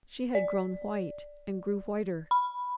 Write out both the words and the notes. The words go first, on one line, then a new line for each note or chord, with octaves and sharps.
She had grown white, and grew whiter.
D5
B5